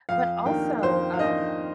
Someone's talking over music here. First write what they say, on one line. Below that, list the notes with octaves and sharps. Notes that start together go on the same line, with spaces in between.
But also, um
F2 F5
D#3 A#3 D4 G5
F2 C5
F5
D#3 A#3 D4 D#5